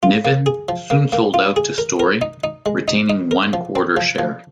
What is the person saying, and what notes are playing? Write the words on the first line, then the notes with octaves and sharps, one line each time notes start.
Niven soon sold out to Storey, retaining one quarter share.
F4
A#3
G#4
F3
A#3
A#3
F4
G#4
A#4
A#4
D#4
D#4
G#3
D#4
D#4
A#4
F3
C4
F3
F3